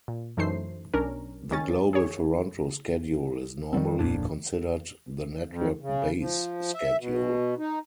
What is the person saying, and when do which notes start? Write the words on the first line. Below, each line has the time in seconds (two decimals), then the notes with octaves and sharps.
The Global Toronto schedule is normally considered the network "base" schedule.
0.08 A#2
0.37 F#2 E3 A3 D#4 C5 C7
0.94 B1 C#4 D4 A#4
1.51 D#3 C#4 A6
1.93 G#4 C#5
3.73 D#3 F3 G3 C4
3.99 D1 F2 A#2 D4
5.47 F2
5.81 C#3
6.18 F3
6.74 E5
6.98 B2
7.58 D#4